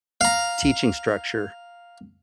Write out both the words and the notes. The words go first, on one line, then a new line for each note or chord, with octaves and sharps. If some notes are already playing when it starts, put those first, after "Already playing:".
teaching structure.
F5 A#5